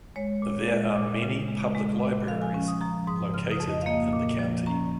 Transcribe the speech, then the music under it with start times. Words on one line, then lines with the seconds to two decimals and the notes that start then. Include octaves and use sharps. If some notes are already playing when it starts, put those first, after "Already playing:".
There are many public libraries located in the county.
0.16 G#3 C#5
0.42 A#2
0.69 G#3
0.96 A#2
1.22 C#3
1.48 G#3
1.75 G#3
2.01 A#2
2.27 F3 F5
2.42 G#5
2.54 C#4
2.68 D#6
2.81 F3 A#5
3.07 G#2 D#6
3.34 C#3 F6
3.51 D#6
3.60 F2
3.69 D#5
3.82 F5
3.86 A#3 D#5
4.13 A#2
4.39 F3
4.66 C#4 A#5